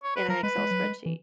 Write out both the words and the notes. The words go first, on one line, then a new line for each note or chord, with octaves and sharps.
in an Excel spreadsheet?"
C#5
B4
F#3 A#4
G#3 B4
G#3
F#3
G#3
E3